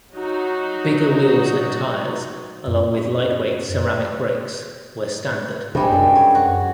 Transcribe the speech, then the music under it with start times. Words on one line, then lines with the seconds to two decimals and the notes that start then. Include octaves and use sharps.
Bigger wheels and tires along with lightweight ceramic brakes were standard.
0.13 F#3 D#4 F#4
2.67 F#2
5.75 G2 C3 G3 G#3
5.92 F#2 C4
6.15 C#5
6.35 F#4